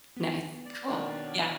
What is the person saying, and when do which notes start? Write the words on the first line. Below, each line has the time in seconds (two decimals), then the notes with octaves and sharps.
Nice, cool, yeah,
0.17 B3
0.66 D5
0.88 B2 D#3 D4 C#5 F#5 G5